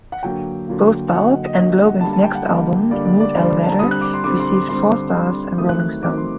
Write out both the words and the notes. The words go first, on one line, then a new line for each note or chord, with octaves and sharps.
Both Bulk and Logan's next album, "Mood Elevator", received four stars in "Rolling Stone".
F#5
D3 F#3 A#3 G5
D3 F#3 A#3
D3 F#3 A#3 F#5
D#5
D#5
D3 F#3 A#3 D#5
D#5
F#5
D3 G3 A#3 A5
A5
G5
F#5
D3 G3 A#3 D#5
D3 G3 A#3 D5
D5
D5
D3 G3 A#3 C5
D5
A5
A#5
D3 G3 C4 D#6
F#6
D6
C6
D3 G3 C4 D6
C6
C6
D3 G3 C4 C6
D3 G3 C4
D#3 F#3 A3 C4 D#6
F#6
F#6
D#3 F#3 A3 C4 D6
C6